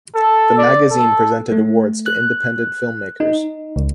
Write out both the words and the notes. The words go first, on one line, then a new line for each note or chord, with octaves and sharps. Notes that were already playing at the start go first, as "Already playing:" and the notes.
The magazine presented awards to Independent film makers.
A4
D5
A4
A3
F#6
D#4
C#2